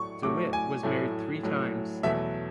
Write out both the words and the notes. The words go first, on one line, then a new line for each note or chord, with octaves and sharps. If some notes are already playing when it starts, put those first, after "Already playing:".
De Witt was married three times.
Already playing: A2 F#3 A3 C#6
A2 F#3 A3 D6
G#5
A2 F#3 A3
A2 F#3 A3
E2 B2 F#3 A3 E5